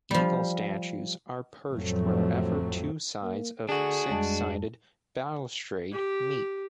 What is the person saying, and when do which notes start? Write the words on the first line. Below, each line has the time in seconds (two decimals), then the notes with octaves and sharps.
Eagle statues are perched wherever two sides of six-sided balustrade meet.
0.11 F3 G3
1.73 A1 F2 F3 F#3 A3 C4
3.23 A#3
3.69 D3 D4 F#4 G#4
4.10 F2 G3 G#3 A5
5.92 G4